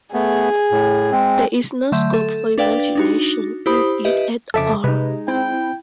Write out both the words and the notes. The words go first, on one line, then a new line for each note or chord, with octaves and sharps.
There is no scope for imagination in it at all.
A3 B3 G#4
A2
G#3 C4
D3 F#3 A3 E5 C6 G6
A4
D4 B4 D5 F5 G5
D4 D#4 F#4
E4 G4 C5 B5 D#6
G4 B4 D#5 E5
F2 C#3 A4 E5 D6
C3 G#3 D#4 B4
C4 E4 G5